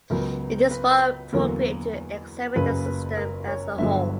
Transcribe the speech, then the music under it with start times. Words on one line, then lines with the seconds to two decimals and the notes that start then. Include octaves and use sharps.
It is more appropriate to examine the system as a whole.
0.10 C#2 C#3 F#3 B3 A#4
0.71 B4
1.32 E2 D3 F#3 A#3 A#4
2.55 F#1 F#2 C#3 F#3 A#3 B4
2.86 B4
3.17 A#4
3.48 C#5
3.78 G1 G2 D3 F#3 E5